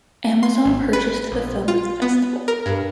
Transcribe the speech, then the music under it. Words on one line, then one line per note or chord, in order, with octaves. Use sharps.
Amazon purchased the film at the festival.
C6
G#1
B4
A#1
F4
B3
A#4
G2